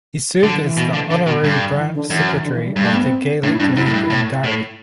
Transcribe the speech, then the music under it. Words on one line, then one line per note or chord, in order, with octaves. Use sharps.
He served as the honorary branch secretary of the Gaelic League in Derry.
D3 F#3
E3
B2
D3
D3
B2
G2 D3
E3
D3
F#2 E3
E3
D3
E3
G3
G2 G3
A3
B3
C4
A2 D4
E4
G2 D4
C4
F#2 E4
A2
G2
A2
A2